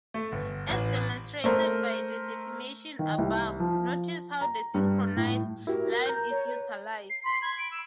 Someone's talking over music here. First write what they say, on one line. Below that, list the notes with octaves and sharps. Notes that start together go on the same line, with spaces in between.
As demonstrated by the definition above, notice how the "synchronized" line is utilized.
A3
G1
A1
A3 A#4 C5
D#3
C2
F3
A#5
G2
A2
E4 F#4 G4 A#4
A#5 G6
C#5
B4
C7
B5 C6
B5 G#6
D7
E6